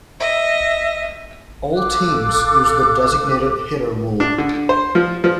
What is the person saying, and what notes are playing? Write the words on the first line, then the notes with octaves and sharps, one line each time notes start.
All teams use the designated hitter rule.
D#5 E5
A4 F5 D6 F#6
D4
D3
C5
F3
F3